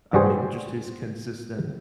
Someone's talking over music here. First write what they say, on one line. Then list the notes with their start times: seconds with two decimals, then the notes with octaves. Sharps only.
I mean, just his consistent
0.13 G2 G3 F#4 G#4 C5